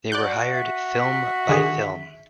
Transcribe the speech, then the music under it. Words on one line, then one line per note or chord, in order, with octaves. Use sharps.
They were hired film by film.
F#4 D5 F#6 G6
E5
D3 D#3 G#4